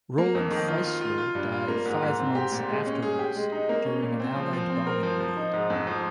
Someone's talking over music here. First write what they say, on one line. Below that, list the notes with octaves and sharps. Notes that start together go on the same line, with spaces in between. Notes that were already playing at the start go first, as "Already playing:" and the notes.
Roland Freisler died five months afterwards during an Allied bombing raid.
A#3
F2
D#3
F4
F4
F4
F4
G2
F4
A#3
G#2
G#2
C4
G4
A#2
G#3
C#4
G#4
G4
G#3
D#4
A#3
C#4
A#2
C4
F3
F3
C4
A#4
F3
F3
D#4
G#2
F2
F3